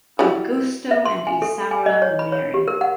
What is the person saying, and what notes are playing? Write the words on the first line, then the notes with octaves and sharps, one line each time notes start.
Augusto and Isaura marry.
F#3 G3 E4
E5
C6
G#5
A4
G#5
D#5
C#5
B5
C#5
G4
A#4
F#5